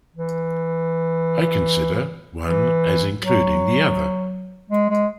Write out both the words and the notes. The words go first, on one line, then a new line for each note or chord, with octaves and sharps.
I consider one as including the other.
E3
E3
F#3
G#3
G#3